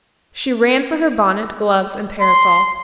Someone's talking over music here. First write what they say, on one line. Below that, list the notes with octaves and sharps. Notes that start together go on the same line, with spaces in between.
She ran for her bonnet, gloves and parasol.
C6